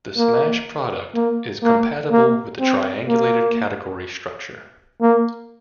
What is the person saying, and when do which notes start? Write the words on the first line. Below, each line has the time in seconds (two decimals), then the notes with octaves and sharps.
The smash product is compatible with the triangulated category structure.
0.17 A#3
1.14 A#3
1.63 A#3
2.11 A#3
2.60 C4
3.08 A#3
5.01 A#3